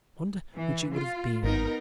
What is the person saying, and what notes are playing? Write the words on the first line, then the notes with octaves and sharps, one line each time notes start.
I wonder which it would have been?
E3
F4
G#1 B3 D#4 A#4